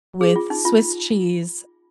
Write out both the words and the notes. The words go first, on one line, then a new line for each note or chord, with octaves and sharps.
with swiss cheese,
G#4
F4
D#4
F4